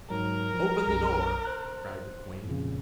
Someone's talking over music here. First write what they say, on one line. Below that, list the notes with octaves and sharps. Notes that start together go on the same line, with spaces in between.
"Open the door!" cried the queen.
G#2 F#3 A#4
F3
B1 F#2 A#6
C5 F#6
F2 A#2 C#3